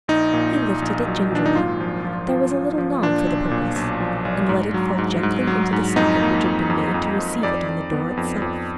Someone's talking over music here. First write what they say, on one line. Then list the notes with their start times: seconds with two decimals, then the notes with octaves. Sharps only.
He lifted it gingerly--there was a little knob for the purpose--and let it fall gently into the socket which had been made to receive it on the door itself.
0.08 A#1 D#4
0.33 A#2
0.57 A#1
0.82 A#1
1.06 F#3
1.32 A#2 D4
1.46 D#4
1.55 G#1 F4
1.81 F3
2.05 F3
2.29 F3
2.53 F3
2.78 F3
3.03 A#2 D4
3.27 B1
3.51 A#2
3.76 B1
4.00 F3
4.25 B1
4.49 G#2
4.74 F#3
4.98 G#2
5.23 G#2
5.47 F#3
5.73 G#2
5.96 F2 D#4
6.21 A#3
6.46 F2
6.70 F2
6.94 F2
7.18 F2
7.43 F2 D5
7.69 F2
7.93 B3
8.17 F2
8.42 F2